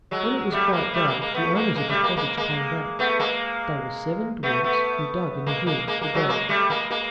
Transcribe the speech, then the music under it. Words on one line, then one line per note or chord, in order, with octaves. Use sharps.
When it was quite dark the owners of the cottage came back; they were seven dwarfs who dug in the hills for gold.
F#3 G#3
G3 A3
G#3 A#3
G3 A3
G#3 A#3
G#3 A#3
A3 B3
G#3 A#3
G#3 A#3
G3 A3
G#3 A#3
G#3 A#3
G#3 A#3
A3 B3
G#3 A#3
A3 B3
A3 B3
G#3 A#3
G#3 A#3
G#3 A#3
G#3 A#3
F#3 G#3
G#3 A#3
G3 A3
G#3 A#3
G#3 A#3